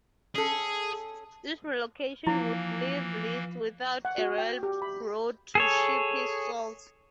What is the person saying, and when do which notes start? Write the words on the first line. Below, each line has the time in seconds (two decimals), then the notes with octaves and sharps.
This relocation would leave Leete without a railroad to ship his salt.
0.35 C#4 G#4 A4
2.27 E3 F3 A#3 E4
4.05 F#5
4.18 F#4
4.38 G5
4.63 G4
4.82 B5
5.55 G#4 A4 C#5